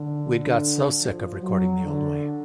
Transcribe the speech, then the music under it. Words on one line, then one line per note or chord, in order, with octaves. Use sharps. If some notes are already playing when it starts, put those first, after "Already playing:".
We'd got so sick of recording the old way.
Already playing: D3
F3
F#3
D3